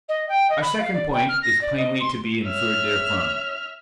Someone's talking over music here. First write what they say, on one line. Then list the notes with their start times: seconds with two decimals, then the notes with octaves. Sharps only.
Our second point is plainly to be inferred therefrom.
0.08 D#5
0.28 G5
0.49 D#5
0.61 B5
0.79 F5
0.93 D5
1.12 G5
1.28 F6
1.42 A#6
1.61 D5
1.77 D#5
2.00 C6
2.45 C#5 E5 F6